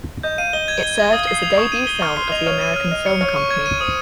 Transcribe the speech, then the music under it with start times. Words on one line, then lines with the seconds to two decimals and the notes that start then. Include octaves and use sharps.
It served as the debut film of The American Film Company.
0.23 D#5 G6
0.38 F5 D#7
0.53 D#5 G7
0.68 G#6
0.83 G7
0.98 G#6
1.13 F5 D#6
1.27 C7
1.43 F7
1.57 C#6 D#6
1.72 D#7
1.87 G7
2.02 C#6 F6
2.17 C6 C7
2.32 D#5 F7
2.47 C#5 F6
2.61 D#7
2.76 F6
2.91 D#5 F6
3.06 C#5 C#7
3.21 C#5 F6
3.36 C#6
3.51 G#6
3.66 D#7
3.80 C5 D#6